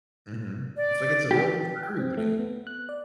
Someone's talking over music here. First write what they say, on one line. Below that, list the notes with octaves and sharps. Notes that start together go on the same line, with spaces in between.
Mhm. It's like it's available for everybody.
D5
G4
G5
C4
A3
B3
F#6
D5